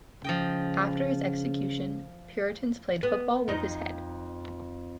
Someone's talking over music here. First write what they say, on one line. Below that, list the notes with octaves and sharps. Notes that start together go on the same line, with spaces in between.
After his execution, Puritans played football with his head.
C#3 F3 D#5 G5
B3
F2 D#4